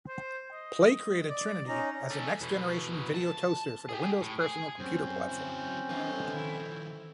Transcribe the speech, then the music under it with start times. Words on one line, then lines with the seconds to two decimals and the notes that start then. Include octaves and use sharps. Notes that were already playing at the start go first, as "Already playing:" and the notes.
Play created Trinity as the next-generation Video Toaster for the Windows personal computer platform.
0.08 C5
0.52 D#5
1.29 D5
1.68 C#4 D#4 A#5
2.10 A3 C#4
2.41 E2 B2
3.14 A5
3.89 G4 G#4
4.22 A2
4.40 G#4
4.80 F#2 C4 C#4 C5
5.29 F#3 E4
5.89 F#2 A2 D#3 B4 F5
6.34 D#3 F3 E4